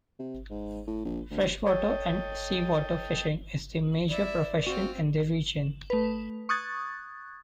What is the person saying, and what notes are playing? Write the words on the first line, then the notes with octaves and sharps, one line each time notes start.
Freshwater and seawater fishing is the major profession in the region.
C3
G#2
A2
A#1
D2
A4 C#5 D#5 G5
E4 D5 E5
C4 F4 F#4
A3 B4
C#6 D#6 F#6 G#6 A6